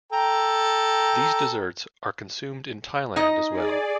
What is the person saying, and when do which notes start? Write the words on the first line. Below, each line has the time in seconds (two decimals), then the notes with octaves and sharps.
These desserts are consumed in Thailand as well.
0.12 A4 G5 A#5
3.16 D#4 D#5
3.49 G#4 D5